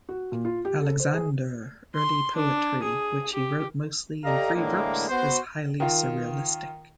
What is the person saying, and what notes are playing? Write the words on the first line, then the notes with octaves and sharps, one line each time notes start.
Aleixandre's early poetry, which he wrote mostly in free verse, is highly surrealistic.
F#4
A#2
F4
G4
A4
C5
G#4
C6
D4
G#4
G4
G4 A4 D5 D#5 F5 A#5
A2 D3 E3 G#3 A#3
B3 F#4 C5
D#3 F4